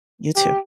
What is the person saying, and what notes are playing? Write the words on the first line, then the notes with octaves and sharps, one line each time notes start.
You too.
G4